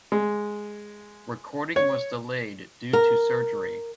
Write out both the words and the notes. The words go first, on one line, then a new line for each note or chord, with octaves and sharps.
Recording was delayed due to surgery.
G#3
C#5
A#4